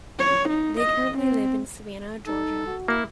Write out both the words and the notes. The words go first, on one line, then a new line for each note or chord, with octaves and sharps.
They currently live in Savannah, Georgia.
C#5
D#4
D#5
C4
D#4 A4
F#4
A#3 E4